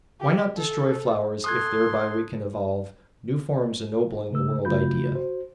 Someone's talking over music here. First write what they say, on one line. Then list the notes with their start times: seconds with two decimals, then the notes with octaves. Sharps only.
Why not destroy flowers if thereby we can evolve new forms ennobling the world idea?
0.20 G4
0.56 A4
1.44 A4 C6 D#6 F#6 G#6
4.30 A#2 C#3 A3 A#4 E6
4.65 C#3 A3 F4 F#4 B5 G6
5.15 F#4 C5